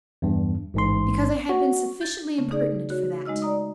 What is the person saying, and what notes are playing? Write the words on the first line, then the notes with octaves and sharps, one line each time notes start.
"Because I have been sufficiently impertinent for that."
E2 G2
A1 G#2 C6
F#4
G6 A6
C#3 A3 C#4
D#4 G#4 D5
F#4 C#5
G#3 D#4 D#5 E6 F6
D5 A#5 D#6